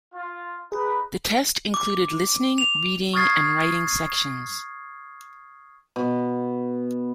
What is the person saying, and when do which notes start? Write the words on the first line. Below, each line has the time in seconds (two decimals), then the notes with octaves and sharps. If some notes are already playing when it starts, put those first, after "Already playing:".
The test included listening, reading and writing sections.
0.14 F4
0.72 D#4 G#4 B4
1.74 D6
2.58 F7
3.14 C#6 D#6 F6 G#6 A6 C7
5.96 B2